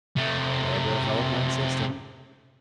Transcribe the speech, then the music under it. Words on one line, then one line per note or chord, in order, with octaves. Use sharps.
"There goes old man System!"
C3 A3